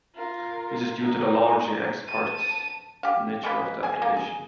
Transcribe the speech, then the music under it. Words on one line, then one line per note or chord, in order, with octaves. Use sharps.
This is due to the largely "ex parte" nature of the application.
F4 A#4
D#4
A5 D#7
G4 F5
G#3 A#3 B4 B5
G#4 G#5
A#3
G#4